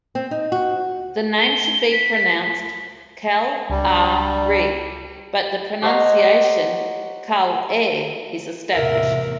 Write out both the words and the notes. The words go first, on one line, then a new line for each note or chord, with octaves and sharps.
The name should be pronounced Kal-"ah"-ree, but the pronunciation Kul-"air" is established.
C4
D#4
F#4
G7
B6
C#2 G3 D4
G4 C5 C#5 D#5 F#5 A#5
E2 A2 C3 A#4 E5